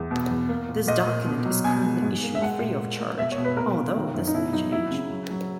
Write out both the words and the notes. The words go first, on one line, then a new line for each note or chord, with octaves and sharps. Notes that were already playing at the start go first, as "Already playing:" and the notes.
This document is currently issued free of charge, although this may change.
Already playing: E2
B2
E2
A#3
A#2
A#2 D#5
A#2
B2
F#3
B2 G#5
G#3
G#2
A#3
E5
G#3 F#5
A#2
A#3
A#3
B2 E5
C#5
B2
B4
A#2 A#4
A#3
D#3
F#2
D#4
B2 E4
F#3 D#4
F#3 E4
C#3
F#3
F#3